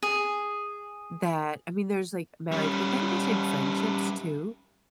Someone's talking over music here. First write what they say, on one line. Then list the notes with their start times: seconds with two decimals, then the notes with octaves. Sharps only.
that I mean, there's, like, marriage, but then just in friendships, too.
0.03 G#4
2.52 G3 C#4